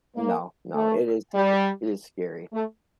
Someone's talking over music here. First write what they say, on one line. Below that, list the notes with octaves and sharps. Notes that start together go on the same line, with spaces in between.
No, no, it is it is scary.
A#3
A3
G3
A3